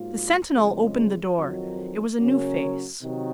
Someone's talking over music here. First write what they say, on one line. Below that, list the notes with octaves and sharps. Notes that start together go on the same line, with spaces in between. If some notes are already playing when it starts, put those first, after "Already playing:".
The sentinel opened the door; it was a new face.
Already playing: G#2 F#3 A#3 F4
F2 C#3 G#3
F2 D#3 F#3
C#3 F#3 A#3 C#4
C3 D#3 F#3